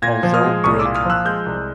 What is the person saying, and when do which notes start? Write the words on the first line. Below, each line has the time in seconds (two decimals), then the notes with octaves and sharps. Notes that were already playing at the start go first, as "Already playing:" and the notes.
Although Brig.
0.02 A#2 G#6 A#6
0.23 F3
0.34 D#6 F6
0.43 G#3
0.64 C2 C#6 D#6
0.79 D6 E6
0.85 A#2
0.95 D#6 F6
1.05 F3 E6 F#6
1.25 G#3 F6 G6
1.46 C2